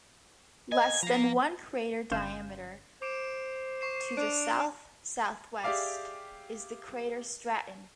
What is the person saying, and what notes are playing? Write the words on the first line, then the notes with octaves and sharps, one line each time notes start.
Less than one crater diameter to the south-southwest is the crater Stratton.
D#5 G#5
F3 F5 A#5
G1 C#4 F5 C6 G6 E7
C5 D6 D7 E7
C#6 C7 E7
D4 D7 F7
G4 G#4 D5 E5 F5 D6